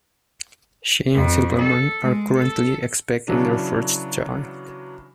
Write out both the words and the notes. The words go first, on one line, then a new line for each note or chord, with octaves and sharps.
She and Silverman are currently expecting their first child.
F2
A4
G#3
A4
C#3 E3 F#3 D4